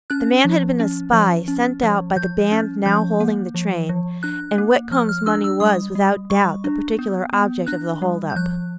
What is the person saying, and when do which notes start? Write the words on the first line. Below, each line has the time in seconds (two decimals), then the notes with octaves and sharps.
The man had been a spy sent out by the band now holding the train, and Whitcomb's money was without doubt the particular object of the hold-up.
0.10 C#4 F#6
0.45 F3
0.80 C#4
1.13 F3
1.48 C#4
1.83 F3
2.16 F3 G6
2.52 C#4
2.86 F3 G6
3.20 A#3
3.55 F3
3.89 F3
4.23 D4 F#6
4.58 A#3
4.91 F3 F6
5.09 F6
5.26 D4 E6
5.44 E6
5.60 G3 D#6
5.95 G3
6.30 G3 C#6
6.64 D4
6.99 B3
7.33 B3
7.67 D4 F#6
8.02 G3
8.30 G6
8.36 F3 F#6